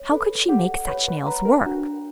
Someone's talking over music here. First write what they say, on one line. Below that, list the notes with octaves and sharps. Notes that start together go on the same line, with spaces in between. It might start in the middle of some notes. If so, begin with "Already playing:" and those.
How could she make such nails work?
Already playing: C#5
A4 B4
G4 F#5
B4 C#5
B4
B4 A#5
A#4
D4 F#4